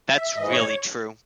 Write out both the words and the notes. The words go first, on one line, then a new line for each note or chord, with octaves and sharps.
That's really true.
E5
G#2 E3 D#5
C#5